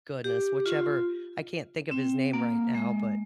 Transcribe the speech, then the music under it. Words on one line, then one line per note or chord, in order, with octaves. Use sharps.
goodness, whichever, I can't think of his name right now, but
G4
F4
C4
A#3
G#3